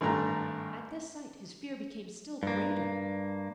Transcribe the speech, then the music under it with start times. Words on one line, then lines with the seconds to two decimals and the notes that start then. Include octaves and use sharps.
At this sight his fear became still greater.
0.01 G#1 G2 A3 A#5
2.43 G2 A#3